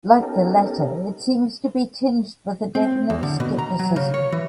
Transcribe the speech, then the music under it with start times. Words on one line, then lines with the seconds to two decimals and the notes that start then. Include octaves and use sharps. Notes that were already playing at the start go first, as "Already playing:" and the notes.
Like the latter, it seems to be tinged with a definite scepticism.
0.19 B3 C#4 D#4 G4 A4 A#4
2.75 C4
3.10 E2
3.23 D3
3.40 B2
3.58 A#5
3.79 F#3
3.96 C#3
4.14 C#5
4.32 E3